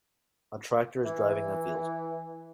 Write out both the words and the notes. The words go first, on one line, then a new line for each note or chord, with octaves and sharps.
A tractor is driving in a field.
E3